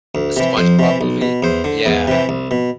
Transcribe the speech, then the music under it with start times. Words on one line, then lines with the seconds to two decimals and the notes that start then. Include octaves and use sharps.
The SpongeBob movie? Yeah.
0.15 D2
0.36 C3 E3
0.57 F2 C5
0.79 C3 E3
1.01 B1
1.22 B2
1.43 E2 C5
1.64 D3
1.86 E2
2.07 C3 E3
2.29 C2
2.51 B2